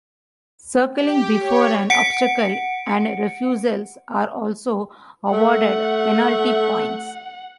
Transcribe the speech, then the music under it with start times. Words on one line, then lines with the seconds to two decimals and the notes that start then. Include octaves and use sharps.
Circling before an obstacle and refusals are also awarded penalty points.
0.96 G4
1.38 C#5
1.90 F#5 C#7 D7
5.33 A3 F#5